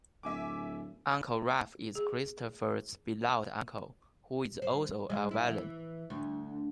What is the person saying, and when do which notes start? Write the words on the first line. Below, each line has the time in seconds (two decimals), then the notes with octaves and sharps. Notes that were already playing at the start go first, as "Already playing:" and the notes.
Uncle Ralph is Christopher's beloved uncle, who is also a villain.
0.23 D1 E5 G#5 D6
1.95 G#4
4.62 C5
5.10 G#3
5.31 E4
5.48 E3
6.10 D2